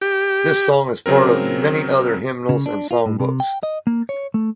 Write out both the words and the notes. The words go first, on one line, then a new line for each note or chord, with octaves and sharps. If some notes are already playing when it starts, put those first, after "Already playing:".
The song is part of many other hymnals and songbooks.
G4
C#3 F#3 C4 A#4
C#3
D4
F4
A2
C3
G5
D#5
A#3
C#5
A3